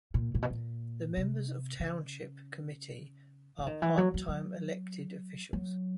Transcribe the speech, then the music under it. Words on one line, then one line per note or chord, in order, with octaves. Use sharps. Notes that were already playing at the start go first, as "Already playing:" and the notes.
The members of Township Committee are part-time elected officials.
A#2
A#2
B2
A#2
C3
C#3
E3
D#3
E3
F#3
F#3
F#3
F#3